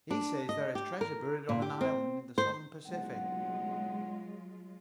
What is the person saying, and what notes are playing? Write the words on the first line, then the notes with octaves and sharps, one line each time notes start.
"He says there is treasure buried on an island in the Southern Pacific."
D4
D#5
G4
A#4
A#2
G4
C4
C5
F#1 B1 F#3 G#3 F4 F#5